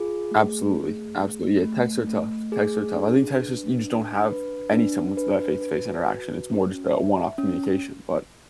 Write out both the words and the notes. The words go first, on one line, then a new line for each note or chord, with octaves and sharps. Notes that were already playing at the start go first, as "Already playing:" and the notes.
Absolutely. Absolutely, yeah. Texts are tough, texts are tough. I think text is you just don't have any similar to that face-to-face interaction, it's more just a one-off communication, but,
Already playing: F4 G#4
A3
G#4
A3
A3
A3
G#4
D4
B4
D4
B4
D4
B4
B4
F#4
C#4
E5
C#4